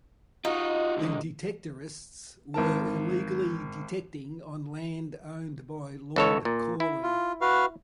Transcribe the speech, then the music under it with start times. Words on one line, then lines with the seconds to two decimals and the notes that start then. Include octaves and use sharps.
The detectorists were illegally detecting on land owned by Lord Cawley.
0.45 D#4 F4 F#4
0.97 C2 D3
2.54 G#1 A#4 A5
6.16 C#2 A4 C#5
6.45 A#2
6.80 E4
7.03 F4
7.41 F#4 B4 F5